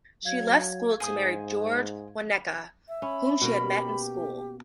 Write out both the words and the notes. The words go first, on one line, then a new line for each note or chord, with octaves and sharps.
She left school to marry George Wauneka, whom she had met in school.
F#3 F5 G#6
G#2 G#4 C5 D#6
E5
C#4 B5
B2 A#3 A#4
G4